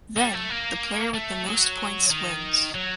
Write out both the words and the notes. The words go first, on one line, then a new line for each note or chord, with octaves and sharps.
Then the player with the most points wins.
G3
A3
A#3
A3
F#3
D#3
F#3